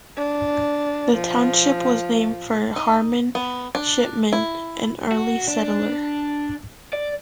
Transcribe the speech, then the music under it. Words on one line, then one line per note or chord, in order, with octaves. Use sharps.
The township was named for Harmon Shipman, an early settler.
D4
F3
D#4
B3
D4
E4
F#4
D4
D5